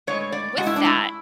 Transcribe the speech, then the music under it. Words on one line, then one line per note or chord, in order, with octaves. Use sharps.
with that,
A2 G#3 C#5
D5
A2 G#3 F#4
E4
D4
E4